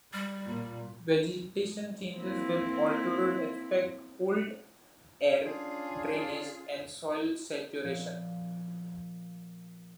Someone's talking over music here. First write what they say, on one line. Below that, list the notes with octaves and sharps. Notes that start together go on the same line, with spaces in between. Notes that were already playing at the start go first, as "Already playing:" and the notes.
Vegetation changes with altitude, aspect, cold air drainage and soil saturation.
G3
A#2
A#3 C4 E4
C#4 D4 F4 G#4
A#2 F3 B3